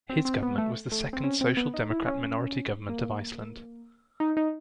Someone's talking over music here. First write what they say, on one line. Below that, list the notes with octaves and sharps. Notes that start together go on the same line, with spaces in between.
His government was the second Social Democrat minority government of Iceland.
C4
C4
B3
A3
A3
C4
C#4
C4
B3
D#4
E4
C#4
A#3
D#4
D#4